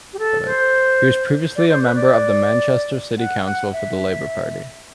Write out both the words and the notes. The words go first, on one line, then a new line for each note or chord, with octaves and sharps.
He was previously a member of the Manchester City Council for the Labour Party.
G4
A4
C5
D5
C5
B4
D5
F#5
F#5
E5